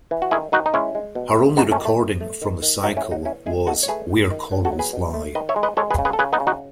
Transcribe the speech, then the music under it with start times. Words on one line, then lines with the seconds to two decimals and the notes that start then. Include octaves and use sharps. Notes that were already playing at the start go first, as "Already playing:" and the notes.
Her only recording from the cycle was "Where Corals Lie".
0.11 E3
0.22 F#4
0.31 D#3 E4 G#4
0.52 D#3 D#4 F#4
0.66 D#4
0.74 G#3 C#4 E4
0.95 G#3
1.15 B2
1.37 A3
1.57 A3 B3 D#4
1.71 A3 C#4
1.78 D#3
1.85 A3
1.99 A3
2.20 A3
2.42 D#3
2.62 D#3
2.83 A2 D#4 F#4
2.97 C#4 E4
3.04 A2
3.11 D#4 F#4
3.25 E3 C#4 E4
3.46 G#3 E4 G#4
3.67 D#3 F#4 A4
3.83 C#5
3.88 A3 G#4 B4
4.09 A3
4.30 D#3
4.51 F#3
4.65 F#4 A4
4.72 F#3
4.79 G#4 B4
4.93 B2
5.14 A3
5.35 D#3 B4 D#5
5.49 C#5 E5
5.56 G#3
5.63 B4 D#5
5.77 G#3 A4 C#5
5.90 G#4 B4
5.98 C#3
6.05 G#4 B4
6.13 A4
6.19 C#3 G#4 B4
6.33 B3 D#4
6.40 C#3
6.47 D#4 F#4